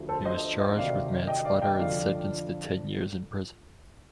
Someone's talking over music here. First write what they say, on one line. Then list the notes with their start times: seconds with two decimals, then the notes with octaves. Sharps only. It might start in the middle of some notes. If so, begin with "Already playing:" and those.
He was charged with manslaughter and sentenced to ten years in prison.
Already playing: D2 D3 F3
0.09 A4 C5
0.25 C5 D#5
0.60 C5 D#5
0.76 D2 C3 D#3 D5 F5
1.27 D#5 G5
1.44 D5 F5
1.62 D#5 G5
1.79 F2 D3 F3 D5 F5